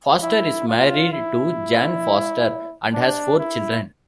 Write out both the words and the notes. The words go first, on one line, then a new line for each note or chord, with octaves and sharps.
Foster is married to Jan Foster and has four children.
E4
F4
E4
D4
E4